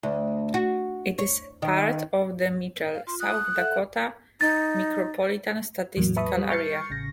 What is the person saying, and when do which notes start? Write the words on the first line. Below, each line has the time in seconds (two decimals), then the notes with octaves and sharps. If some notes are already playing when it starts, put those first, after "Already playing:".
It is part of the Mitchell, South Dakota Micropolitan Statistical Area.
0.03 D2
0.54 F#4
1.19 C#5
1.62 D#3
2.94 F5
3.07 F4 C6
3.20 D#6 F#6
3.55 A4 E5 F#5
4.41 D#4 A6
5.97 E2 A2 F#3 A#3
6.16 B4 E5 A5 B5 C#6 D#6
6.37 G3
6.49 C#6 F6 G6 A6 C7 C#7
6.90 A1 C#3 A#6